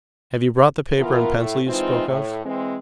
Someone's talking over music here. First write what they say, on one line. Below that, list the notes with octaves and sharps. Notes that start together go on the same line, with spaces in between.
Have you brought the paper and pencil you spoke of?
E3 B3 F4 A#4
A2
E3 G#3 C4 D#4 F4
A2
E3 G#3 C4